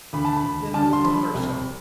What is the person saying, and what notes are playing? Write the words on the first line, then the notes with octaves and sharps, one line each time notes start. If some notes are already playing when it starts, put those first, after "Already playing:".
"Then I will tell her so."
D2 B5
A5
B5
D2
D3 A5
C6
F3 B5
C2